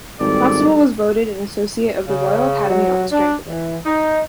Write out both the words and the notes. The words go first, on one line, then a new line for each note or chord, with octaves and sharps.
Constable was voted an Associate of the Royal Academy on the strength of it.
G#1 G3 A4 D5
C#3
F#3
D4
E3
D#4